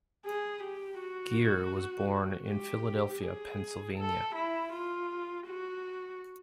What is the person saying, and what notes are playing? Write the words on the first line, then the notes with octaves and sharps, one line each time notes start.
Gere was born in Philadelphia, Pennsylvania.
G#4
G4
F#4
G4
G#4
A4
E4
F4
F#4